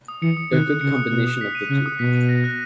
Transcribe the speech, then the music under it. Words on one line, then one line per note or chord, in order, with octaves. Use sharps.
A good combination of the two.
D#6
E3 C#7
D#6
D#3 F#6
D#6
C#3 C#7
D#6
B2 F#6
D#6
B6
D#7
C#3 F#6
D#6
B2 B6
D#7
A#6
F#6